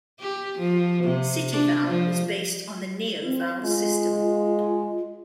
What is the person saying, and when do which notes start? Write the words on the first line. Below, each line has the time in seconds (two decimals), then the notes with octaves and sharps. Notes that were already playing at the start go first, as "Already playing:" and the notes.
CityVal is based on the NeoVal system.
0.20 G4
0.59 F3
1.04 C3
1.52 D4
1.87 F3
3.25 C4
3.64 G#3 F4